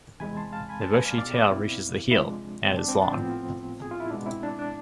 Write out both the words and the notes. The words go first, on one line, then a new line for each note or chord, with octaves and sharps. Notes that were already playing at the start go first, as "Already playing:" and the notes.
The bushy tail reaches the heel, and is long.
E2 C3 G#3 C4 G#5 B5
A5 C6
F5 A5
G#5 B5
A5 C6
G#5 B5
D5 F5
B2 B3 D5 F5
B4 D5
C4 E4
E4
C3 F3 G#3 D4
C4
D4
C4
D4
A2 F3 B3 C4
G#4
F4
E4
B2 G#3 B3 D4
C4 E4
D4
D4